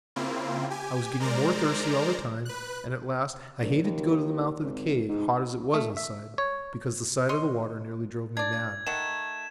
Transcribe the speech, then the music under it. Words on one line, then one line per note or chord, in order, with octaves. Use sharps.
I was getting more thirsty all the time, and, at last, I hated to go to the mouth of the cave, hot as it was inside, because the sight of the water nearly drove me mad.
C#3 A#3 C4 E4 F4
G4 G#5
G#3 A#4 C5 D5 A#5
B4 F#6
A#1
D#2
D#2
G#1
G#2
A3
E5
C#5
C#5 D#5 C6
D4 D5 G#6
D#3 A3 F#5 E7